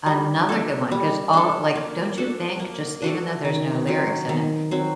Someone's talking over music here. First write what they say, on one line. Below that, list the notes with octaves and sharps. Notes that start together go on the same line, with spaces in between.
Another good one, 'cause all like, don't you think just even though there's no lyrics in it,
G3
D4 A4
G3
D4 A4
A#3
D4 F#4 A4
A#3
D4 F#4 A4
D#3
F#3 C4
D#3
F#3 C4